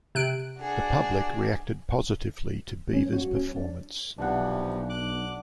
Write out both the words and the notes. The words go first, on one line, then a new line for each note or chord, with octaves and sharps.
The public reacted positively to Beavers' performance.
C3 F#6 D7
D4 F#4 G#4
C#4
F#4
C#4
D4
B1 C3 E3 F3 D4 F#5
D6 F#6